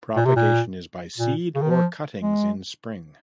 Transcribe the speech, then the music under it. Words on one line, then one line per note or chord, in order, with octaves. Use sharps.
Propagation is by seed or cuttings in spring.
A#2
C3
A#2
A#2
C#3
D#3
F3
G#3